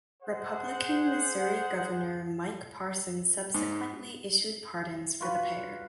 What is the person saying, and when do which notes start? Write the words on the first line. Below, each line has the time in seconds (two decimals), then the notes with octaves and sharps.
Republican Missouri Governor Mike Parson subsequently issued pardons for the pair.
0.23 G#4 C5 F#5
3.54 G#2
5.20 F4 F#4 B4